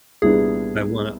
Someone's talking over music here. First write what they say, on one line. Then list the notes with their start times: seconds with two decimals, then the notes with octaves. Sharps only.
I wanna"
0.22 C2 A#2 G3 B3 D4 G#4